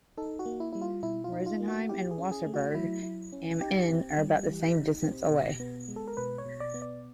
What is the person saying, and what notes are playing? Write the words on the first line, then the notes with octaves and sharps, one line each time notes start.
Rosenheim and Wasserburg am Inn are about the same distance away.
D#4 A4
F#4
A#3
E4
G3 E4
F4
B2 E4
F4
D#4
F4
A#3
F#4
E4 G4
G#4
C#4
G#4
A3
F#4
F#3 E4
E4
C#4
D#4 G4
C4
G3
E3
D#4
C4
B2
B3
G#3
A4
A#4
B2 B4
C#5
B2
D5
B3
D5